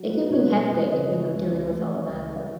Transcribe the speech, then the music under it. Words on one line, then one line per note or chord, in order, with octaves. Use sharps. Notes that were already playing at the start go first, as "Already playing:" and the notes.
It can be hectic, you know, dealing with all that, but
Already playing: F#3
E4 B4
B2 C#5
B4
C#4
C#4 B4
C#3 D#5
C#5
G#3
C#2
C#2
A3
C#4 C#5
C#2
G#3